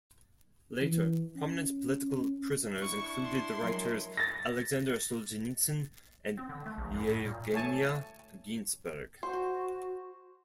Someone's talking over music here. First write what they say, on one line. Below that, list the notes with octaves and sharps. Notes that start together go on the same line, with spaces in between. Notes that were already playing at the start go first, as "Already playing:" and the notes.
Later, prominent political prisoners included the writers Aleksandr Solzhenitsyn and Yevgenia Ginzburg.
E3
C#4
D4 E4 C#6
C6
F#3 G#3 A#4
A6 A#6
C4
D3
A3
A#1
F#2
A2
A#2
A3 C#5 G#5 A5
F#4 C5